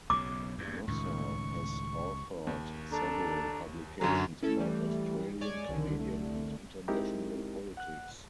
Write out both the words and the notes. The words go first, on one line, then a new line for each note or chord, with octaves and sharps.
Nossal has authored several publications about Australian, Canadian and international politics.
B1 C#3 D6
E2 G2
C#2 A2 D#3 C#6
D#2
D4 A4 A#5
F#2 D3 F#3 C#4 G#5 A#5
A3 C#4 E4 A4
E3 G3
G#3 C#5 D5 G#5
C2 D3 D#3
A3
G#3 C4 D#4 E4 G4 A#4
F#5 F#6